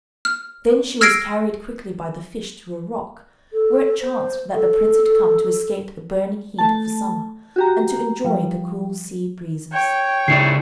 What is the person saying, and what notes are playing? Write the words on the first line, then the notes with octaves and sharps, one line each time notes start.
Then she was carried quickly by the fish to a rock, where it chanced that the Prince had come to escape the burning heat of a summer, and to enjoy the cool sea-breezes.
F6
E6 F6 G#6 A#6 C7 D7
A4
C5
A4
A3 A5
F#4 G4 A#5
F3 G3
C#5 G5
C#3 E4 D5 C7 C#7